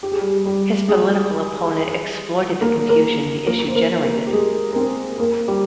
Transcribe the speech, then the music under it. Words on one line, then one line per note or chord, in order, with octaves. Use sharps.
His political opponent exploited the confusion the issue generated.
G4
G#4
G3 G4
G3 G4
G#3 G#4
A#3 A#4
A#3 A#4
A#3 A#4
C5
A#3 A#4
A#3 A#4
G4
G#3 G#4
A#4
C4 C5
A#3 A#4
G3 G4